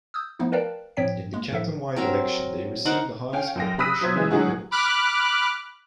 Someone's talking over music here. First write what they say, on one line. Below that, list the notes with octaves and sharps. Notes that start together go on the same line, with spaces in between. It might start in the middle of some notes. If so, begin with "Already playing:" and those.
In the canton-wide election they received the highest proportion of votes.
D#6 E6 G6
F3 A3 B3 D#4 E4
A#4 B4 D5 F5 G5 A5
A2 F3 C4 C#5 G5 B6
G#3 A#3
A2 F3 A4 E5
F#3 C4 A#4
D#4 A#4 C5 F#5
C#4 F5 G5
F#2 G5 A#6
B5 D#6 E6 F#6 B6 D#7
F#3 C5 G#6
C#3 E3 G#3
A2 D3 F#3 G#3 F#4 G#4
B5 D6 F6 F#6